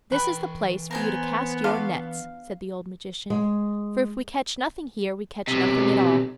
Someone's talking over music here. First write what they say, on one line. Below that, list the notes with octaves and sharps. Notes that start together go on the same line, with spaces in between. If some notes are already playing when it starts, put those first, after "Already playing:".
"This is the place for you to cast your nets," said the old magician; "for if we catch nothing here we catch nothing at all."
E3 B4 G5
B3 A#4 C5 G#5
F#3 D4 F4 F5
G#3
B1 C3